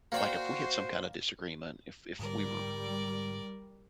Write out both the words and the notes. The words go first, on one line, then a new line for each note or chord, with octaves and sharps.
like, if we had some kind of disagreement, if if we were
A#3 F#4 C5 D5 G5
G#2 D3 G3 A#4 D5